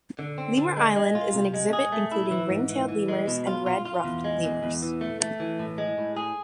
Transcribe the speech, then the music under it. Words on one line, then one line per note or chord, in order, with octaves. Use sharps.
"Lemur Island" is an exhibit including ring-tailed lemurs and red-ruffed lemurs.
D3
C4
D3
G#3
G#3
F4
C3
G#3
G#4
A3
E4
E3
G#2
E3
E3
G#3
B2
F4
F4
F4
E2
G#3
E2
E2
E3
A3
A3
E3
A2
G#3
A2
G#4